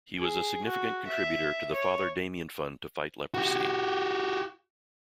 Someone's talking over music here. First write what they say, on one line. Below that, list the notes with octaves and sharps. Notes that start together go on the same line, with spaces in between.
He was a significant contributor to the Father Damien fund to fight leprosy.
G#4
F#4
E5
C#5
F#4 G4